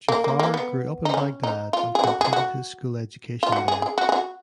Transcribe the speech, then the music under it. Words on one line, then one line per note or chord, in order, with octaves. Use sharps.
Jafar grew up in Baghdad and completed his school education there.
A#3
A#3
A#3
B3
D#4
C#4
D#4
F4
G#4
F#4
G#4
F#4
F4
F#4
G#4
G#4
F#4
G#4
F#4